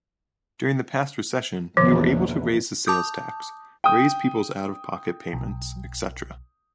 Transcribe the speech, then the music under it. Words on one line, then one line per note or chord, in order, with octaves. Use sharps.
During the past recession we were able to raise the sales tax, raise people’s out-of-pocket payments etc.
A#1 E2 B2 D#3 F3
A5 D6 D#6 G6
G5 D#6
B1